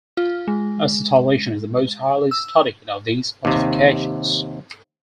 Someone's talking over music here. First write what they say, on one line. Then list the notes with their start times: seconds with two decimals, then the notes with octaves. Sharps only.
Acetylation is the most highly studied of these modifications.
0.17 F4
0.48 G#3
2.31 E6
3.45 D#2 C3